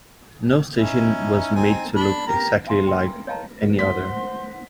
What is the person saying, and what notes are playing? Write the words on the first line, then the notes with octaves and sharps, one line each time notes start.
No station was made to look exactly like any other.
C#4 D#4 E4
C4 D#4 G#5
D4 B5
G4 A#4 A#5
E5 F5 G#5 A#5 C6
G5 C6
C#5 D#5 F5 A5 A#5
C5 F#5 C6 B6